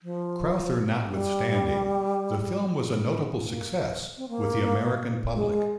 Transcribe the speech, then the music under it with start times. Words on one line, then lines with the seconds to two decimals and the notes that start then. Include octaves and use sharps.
Crowther notwithstanding, the film was a notable success with the American public.
0.03 F3
1.09 G3
3.48 A#3
4.17 C4
4.29 A#3
5.34 G#3
5.52 G#3